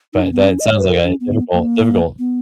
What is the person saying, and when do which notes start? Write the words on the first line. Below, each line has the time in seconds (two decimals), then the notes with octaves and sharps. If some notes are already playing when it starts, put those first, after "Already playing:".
but that sounds like a difficult, difficult
0.14 D#4
0.22 C#4
0.32 B3
0.43 C#4
0.59 D#5
0.68 C#5
0.78 B4
0.87 A#4
1.04 C#4
1.20 B3
1.54 A#3
2.19 B3